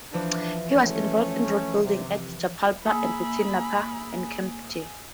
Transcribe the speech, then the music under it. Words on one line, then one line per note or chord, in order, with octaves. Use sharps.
He was involved in road building at Jabalpur and between Nagpur and Kamptee.
E3 F3 D4
A3 C#4
C3
A#3 G#4 E5 B5